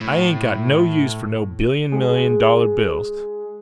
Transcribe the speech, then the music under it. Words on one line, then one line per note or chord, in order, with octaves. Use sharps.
I ain't got no use for no billion million dollar bills.
A2
G#3 G#4